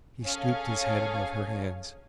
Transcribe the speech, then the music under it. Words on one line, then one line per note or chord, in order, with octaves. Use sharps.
He stooped his head above her hands.
C#4 G#4 A4 C#5 F5 G#5